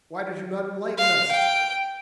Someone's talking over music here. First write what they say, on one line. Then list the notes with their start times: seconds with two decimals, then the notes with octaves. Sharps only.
Why did you not enlighten us?
0.98 F5
1.31 G5